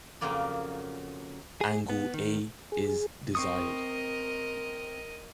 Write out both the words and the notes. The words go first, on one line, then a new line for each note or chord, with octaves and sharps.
Angle A is desired.
F2 C#3 F#3 A#3 D5
G#4
B3
D#3
G#4
C4 A#4 D#5 C#6 D#6